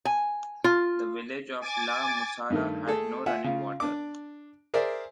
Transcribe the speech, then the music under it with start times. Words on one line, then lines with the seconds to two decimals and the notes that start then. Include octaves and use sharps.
The village of la Mussara had no running water.
0.05 G#5
0.64 F4
1.60 G#5 D6 A6
2.50 G2 D#3 A3
2.87 A3 G#4 A4
3.26 F4 E5 F#5 G#5
3.44 C#3 F4
3.80 D4 D6
4.74 G#4 A#4 C5 D5 E5